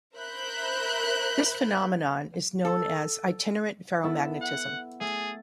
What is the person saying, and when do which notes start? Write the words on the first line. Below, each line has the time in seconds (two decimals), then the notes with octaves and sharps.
This phenomenon is known as "itinerant ferromagnetism".
0.17 A#4 C5 E5 B5 F#6 G6
2.65 A4
4.04 B3 E4 A4
4.41 F#5
5.01 A3 G#4 A6